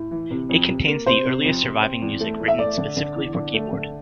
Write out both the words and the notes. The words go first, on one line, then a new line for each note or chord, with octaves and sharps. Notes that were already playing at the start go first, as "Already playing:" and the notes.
It contains the earliest surviving music written specifically for keyboard.
Already playing: A2
E3
C3
F2
C3
A#3
C3 C5
C3
F2
C3
C4
E2
A3
E2
E5
A3 D5
D3
D3
E2
D3
A3
D3